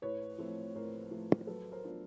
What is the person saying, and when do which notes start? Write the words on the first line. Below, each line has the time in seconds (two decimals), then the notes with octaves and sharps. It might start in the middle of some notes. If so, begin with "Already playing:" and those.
The custom is in general the same but there are some significant variations.
0.02 A2 B4 C#5
0.38 F3 A3 C4 E4
0.76 A2 A#4 C5
1.11 F3 A3 C4 E4
1.47 F#3 A4 B4
1.72 A#4 C5
1.84 B3 D4 F4